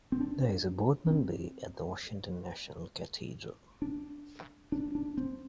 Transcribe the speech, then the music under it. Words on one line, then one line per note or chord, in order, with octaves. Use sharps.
There is a Boardman bay at the Washington National Cathedral.
C4
D4
D4
C4
D4
D4
D4
C4